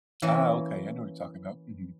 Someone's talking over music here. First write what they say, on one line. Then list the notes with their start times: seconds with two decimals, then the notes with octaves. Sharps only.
Ah, okay, I know what you're talking about. Mhm.
0.22 E3 A#3 C#4 E4